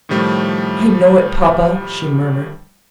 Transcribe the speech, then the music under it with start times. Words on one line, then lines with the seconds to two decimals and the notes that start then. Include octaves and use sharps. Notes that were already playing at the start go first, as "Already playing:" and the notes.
"I know it, papa," she murmured.
0.09 A2 D#3 F3 G3 A3